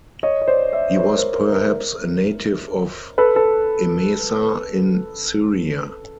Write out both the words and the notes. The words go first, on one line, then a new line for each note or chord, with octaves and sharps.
He was perhaps a native of Emesa in Syria.
C#5 D#5
C#5
C5 D5
D5 E5
B4 C#5
A#4 C5
A#4
A#4
A4 B4
A4 B4